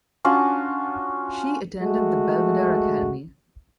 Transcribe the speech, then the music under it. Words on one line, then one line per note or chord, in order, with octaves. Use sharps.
She attended the Belvedere Academy.
C#4 D4 F4 F#4
G#3 A3 F#4